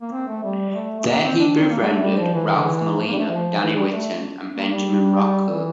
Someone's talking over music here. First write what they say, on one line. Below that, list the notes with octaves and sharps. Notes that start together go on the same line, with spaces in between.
There, he befriended Ralph Molina, Danny Whitten and Benjamin Rocco.
A#3
C4
A3
G3
G3
A3
A3
A#3
C4
D4
D4
C4
A#3
G3
A3
G3
F3
E3
E3
D3
E3
F3
A#3
G3
A3
F3
E3
G3
A3
A#3
G3
E3